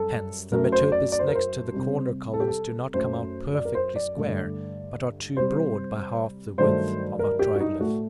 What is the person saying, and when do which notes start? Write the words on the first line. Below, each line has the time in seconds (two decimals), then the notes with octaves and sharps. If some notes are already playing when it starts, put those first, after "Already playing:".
Hence the metopes next to the corner columns do not come out perfectly square, but are too broad by half the width of a triglyph.
Already playing: F#2 G3 A4
0.52 F#2 F#3 A3 A#4
0.72 C5
0.92 D5
1.12 D5
1.19 C5
1.28 A#4
1.35 C5
1.72 C3 G3
2.34 A4
2.40 G4
2.48 A4
2.94 F#2 F#3 A3 C5
3.55 D5
3.65 A#4
3.75 C5
3.96 D5
4.16 G2 D3 A3
5.37 C3 G3 C5
6.58 G2 D#3 F#3 A3 C5
7.19 A#4
7.39 G4
7.56 F#4
7.60 D#4
7.79 A2 A3 F#4